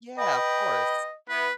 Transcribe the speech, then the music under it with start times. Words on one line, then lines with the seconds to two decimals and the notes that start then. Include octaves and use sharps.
Yeah, of course.
0.18 B4 D#5 G5
1.29 B3 E4 B4